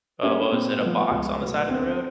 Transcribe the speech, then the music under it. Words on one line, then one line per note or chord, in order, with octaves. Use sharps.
uh, what was it, a box on the side of the road?
G3 A#3 C#4
C#4
A#2 C4
F3 A3 B3
C#2
B2 F#3 A3 B3
D2 C4